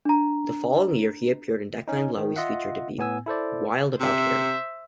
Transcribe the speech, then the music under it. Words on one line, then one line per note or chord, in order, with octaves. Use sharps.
The following year, he appeared in Declan Lowney's feature debut, "Wild About Harry".
D4 A#5
C#4 D#4
D#3
F4 D#5 E5 F#5
A2 B3 G#5 E6
E4 A4 C5 D5
C3 C5 E5